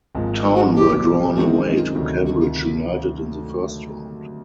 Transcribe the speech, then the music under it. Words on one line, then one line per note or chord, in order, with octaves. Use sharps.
Town were drawn away to Cambridge United in the first round.
G#1 G#2 F3 A#3
F#4
C2 B2 F#3 G4
F#2 D#3 G#3 C4 D#4 F#4
F4
D2 C3 D#3 F#3 A3
F#4
F4